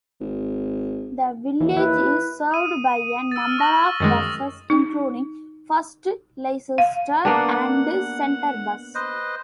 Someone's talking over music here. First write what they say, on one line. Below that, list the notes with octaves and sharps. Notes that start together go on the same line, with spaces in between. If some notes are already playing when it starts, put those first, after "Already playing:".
The village is served by a number of buses including First Leicester and Centrebus.
G#1
D#2 E3
E4 B4
D#6 D#7
E6 A6
F6
C#6 A#6 F#7
F#2 D#3 G#3 D#6 A6
D#4
F5
A#3 B3 D4 F#5
B4 C5 D#5